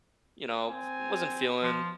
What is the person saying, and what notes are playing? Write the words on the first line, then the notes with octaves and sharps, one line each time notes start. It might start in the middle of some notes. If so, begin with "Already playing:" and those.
you know, wasn't feeling
C4 G#5
F3